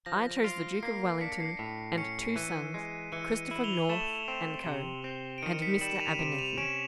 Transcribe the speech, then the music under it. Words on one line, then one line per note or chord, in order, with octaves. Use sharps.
I chose the Duke of Wellington and two sons, Christopher North and Co., and Mr. Abernethy.
F3 A#6
F4 C7 D7
A#3 C7
C7
D4 B6 C#7
C7
A2 B6
C#4 B6 C#7
E3 C#7 D#7
G#3
E3 C#7 D#7
C#7 D#7
E4
F7 G7
A3 E7 F#7
C4
C3
C4
D7
D#3 C#7 D#7
B6 C#7
G3 E7 F#7
D#7 F7
C3 D7 E7
D#7 F7
C#4 D7 E7